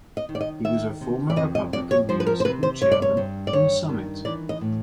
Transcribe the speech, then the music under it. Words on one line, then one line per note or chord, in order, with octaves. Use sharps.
He was a former Republican Municipal Chairman in Summit.
D#5
D#3
D5
D#5
D#3 E5
C3
D5
F2 D#5
D#5
F2 D5
C#5
F3 C5
B4
A#4
C5
C3 B4
C5
G2 C#5
D5
C#5
G2
D5
G2 C#5
D#3
E3 D5
D#5
A2